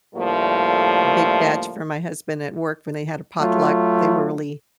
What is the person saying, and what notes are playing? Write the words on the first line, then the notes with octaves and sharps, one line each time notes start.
a big batch for my husband at work when they had a potluck. They were really
A2 D3 F3 G3 A3 A#3
F#3 A3 F4